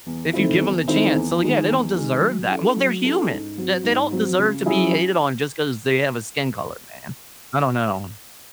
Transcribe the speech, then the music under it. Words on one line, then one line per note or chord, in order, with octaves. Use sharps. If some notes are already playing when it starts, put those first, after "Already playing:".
if you give 'em the chance. So, yeah, they don't deserve that. Well, they're human. They they don't deserve to be hated on just 'cause they have a skin color, man. I don't know.
E2
D#3 A3 C4 E4
E2
D#3 A3 C4 E4
E2
D#3 G#3 D#4
E2
D#3 G#3 D#4
F#3
C#4 E4 A4
F#3
C#4 E4 A4
G#2
F#3 C4 F#4
G#2
F#3 C4 F#4
C#3
F#3 C#4 E4 G#4